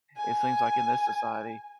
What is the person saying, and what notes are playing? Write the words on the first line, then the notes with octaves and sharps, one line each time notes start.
it seems like in this society,
G#5